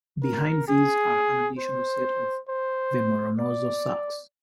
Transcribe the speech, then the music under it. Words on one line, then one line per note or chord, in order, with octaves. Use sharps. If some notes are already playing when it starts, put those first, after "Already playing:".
Behind these are an additional set of vomeronasal sacs.
A#4
G#4
C5
C5
D5